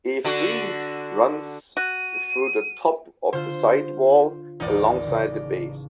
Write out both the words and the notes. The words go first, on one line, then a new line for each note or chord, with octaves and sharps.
A frieze runs through the top of the side wall alongside the base.
D3 D4 F#4
F#4 D#7
D3 F4 C5
A1 D#2 A2 D#4 D5
C#3